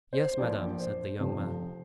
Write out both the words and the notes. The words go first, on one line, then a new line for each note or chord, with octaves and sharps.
"Yes, madame," said the young man.
C5
A#1 A#2 F3 D5
C5
F1 F2 F3